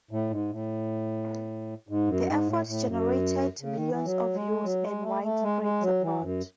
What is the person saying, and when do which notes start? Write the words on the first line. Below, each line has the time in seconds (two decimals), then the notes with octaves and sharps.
The effort generated millions of views and widespread support.
0.11 A2
0.30 G#2
0.50 A2
1.88 G#2
2.07 F#2
2.27 G#2
2.47 A2
2.67 A2
2.86 F#2
3.61 C#3
3.74 D#3
3.90 E3
4.05 F#3
4.34 G#3
4.63 F#3
4.83 G#3
5.03 A3
5.23 A3
5.43 G#3
5.62 G#3
5.81 F#3
6.02 E3
6.21 F#2